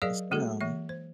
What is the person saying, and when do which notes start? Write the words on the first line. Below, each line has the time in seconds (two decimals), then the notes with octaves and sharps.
Yes, ma'am.
0.02 F#3 G#4 A#4 D5 D#5 F5
0.31 G#3 A#3 F#4 G#4 A4
0.61 E3 A#3 E5
0.89 C5